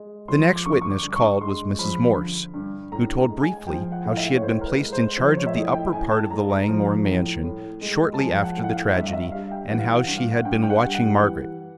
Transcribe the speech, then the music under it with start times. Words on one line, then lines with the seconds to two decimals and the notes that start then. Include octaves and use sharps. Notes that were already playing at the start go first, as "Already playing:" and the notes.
The next witness called was Mrs. Morse, who told briefly how she had been placed in charge of the upper part of the Langmore mansion shortly after the tragedy, and how she had been watching Margaret.
Already playing: G#3
0.28 F3 C6
0.55 D6
0.66 D3 C#6
0.82 C#6
0.91 D6
1.03 G2
1.16 C#6
1.41 G#3 C6
1.79 F3 B5
2.16 D3
2.54 G2
2.92 A2 A#5
3.29 G#3
3.42 G#5
3.67 F3 G5
3.92 F#5
4.05 A2 F5
4.17 E5
4.35 C#5
4.42 A2 C5
4.61 A#4
4.68 B4
4.80 G#3
4.93 C5
5.18 F3 C5
5.28 C5
5.37 C#5
5.47 E5
5.55 A2 D#5
5.74 G5
5.93 A2 G#5
6.11 A5
6.31 G#3 A#5
6.50 A#5
6.68 F3
7.06 A2
7.44 A2
7.81 G#3
8.14 A5
8.19 F3 G#5
8.33 G5
8.44 F#5
8.57 A2
8.64 F#5
8.69 F5
8.94 G2 E5
9.07 F5
9.13 E5
9.32 G3 F5
9.51 G5
9.70 E3 F#5
9.79 F5
9.87 F#5
10.07 G2
10.17 F5
10.31 F#5
10.45 G2 G5
10.64 G5
10.70 F#5
10.82 G3
10.95 F#5
11.20 E3